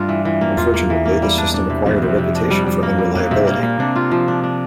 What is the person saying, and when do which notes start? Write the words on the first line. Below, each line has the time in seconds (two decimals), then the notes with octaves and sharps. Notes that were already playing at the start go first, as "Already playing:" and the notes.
Unfortunately, the system acquired a reputation for unreliability.
Already playing: G2 A3 D4 F4
0.09 E3
0.25 E3
0.41 A#3
0.57 E2 F4
0.74 A#3
0.90 E3
1.06 A#3
1.22 G3
1.38 D4
1.54 D4
1.70 C3
1.86 F2 C3
1.96 E2
2.02 C3
2.08 F2
2.18 C3
2.35 D4
2.50 G3
2.66 G3
2.83 A#3
2.98 G3
3.15 F2 A#3
3.31 C3
3.36 G2
3.47 A#3
3.58 A#2 A#3
3.79 C3 D4
3.96 F4
4.11 F3
4.28 D4
4.43 D4